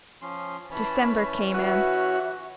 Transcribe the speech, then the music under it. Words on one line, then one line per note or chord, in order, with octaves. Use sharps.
December came in.
F3 C#4 C6
E3 C#4 C#5 A5 B5
F#4 B4 E5